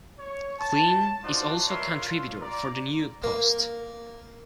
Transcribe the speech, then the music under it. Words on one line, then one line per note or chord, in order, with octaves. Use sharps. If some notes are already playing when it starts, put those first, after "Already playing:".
Klein is also a contributor for The New York Post.
C#5
A5
D4 D#4 F4 F#4 C5 D5
A#4 B4 C#5 E5 F5 C6
F4
D5 A#5
A#3